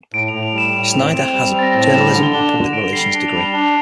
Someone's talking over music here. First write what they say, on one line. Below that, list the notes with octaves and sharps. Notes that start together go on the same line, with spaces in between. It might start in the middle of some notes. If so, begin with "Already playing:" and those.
Snyder has a journalism and public relations degree.
A2 D7
A2 F7
F7
G3 E7
A2 E7
F7
C4
C4
F7
G3 E7
C4 F7
A6
A#6
A2 A6
G3 E7
D3 F7
G7
D4
F7
D3
D3 D7
G3 C7
D4
G3 F7
G7
D4
F7